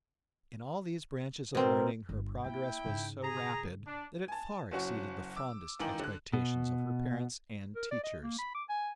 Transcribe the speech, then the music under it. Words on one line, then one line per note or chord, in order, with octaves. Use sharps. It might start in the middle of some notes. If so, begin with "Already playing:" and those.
In all these branches of learning her progress was so rapid that it far exceeded the fondest expectations of her parents and teachers.
B2 C4 A#4 C5
G1
A#3 E4 G5
G#2 C#3
G#4 A#5
D4
G#5 A5
F#1 F#3 C#4 F#4 C#6
D6 E6
C#2 D#3 E3 D#4 G5 F#7
D3 F#6
B2
A#4
D5
D#5
A#3
B5
D6
G#5